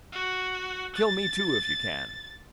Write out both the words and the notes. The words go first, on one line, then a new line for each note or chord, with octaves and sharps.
Kill me too, if you can.
F#4
A6